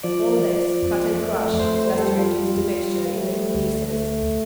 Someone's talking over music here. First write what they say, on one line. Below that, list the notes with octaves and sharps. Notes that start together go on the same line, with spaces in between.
All this cut and crush so as to reduce the mixture in little pieces.
F3 D5
F3
F2
A3
F2 C5
C5
G3 A4
F4
G3
G3
A3
D2
A3